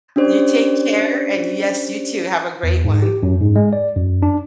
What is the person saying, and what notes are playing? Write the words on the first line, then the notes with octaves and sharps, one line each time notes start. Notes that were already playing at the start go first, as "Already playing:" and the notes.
You take care, and Yes, you too, have a great one.
C#4 D4 G4 C5 D5
E2
G#2
G4
F#2
G#2
G#3
D5
F#2
D4